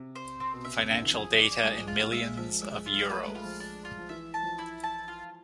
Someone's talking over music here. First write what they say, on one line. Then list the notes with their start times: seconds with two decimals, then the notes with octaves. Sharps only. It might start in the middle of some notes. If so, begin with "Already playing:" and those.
Financial data in millions of euro.
Already playing: C3
0.15 C5
0.40 C4
0.53 B2
0.65 C3 E5
0.77 C3
0.89 D3 E5
1.02 E3
1.13 F3 G#4
1.38 D5
1.63 G#3 G#4
1.72 F3
1.79 G#3
1.88 F4
2.12 G#3 E5
2.26 G#3
2.37 F3 E5
2.62 G#3 E5
2.86 F4
3.11 A3 B4
3.27 G#3
3.35 F4
3.44 F3
3.60 D4
3.85 F4
3.98 F3
4.09 E3 E5
4.34 A5
4.42 F3
4.59 E4
4.83 A5
5.08 F4